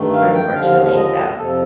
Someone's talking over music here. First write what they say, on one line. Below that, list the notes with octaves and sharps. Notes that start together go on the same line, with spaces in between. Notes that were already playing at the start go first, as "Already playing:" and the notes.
unfortunately, so
Already playing: G2 D#3 A3
F5
G5
D#2 D3 F3 F5
D#5
F2 C3 F3 A4